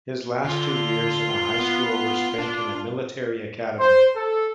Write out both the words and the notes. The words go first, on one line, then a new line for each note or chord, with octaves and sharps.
His last two years in high school were spent in a military academy.
D3 F4
B3
D4
C5
A4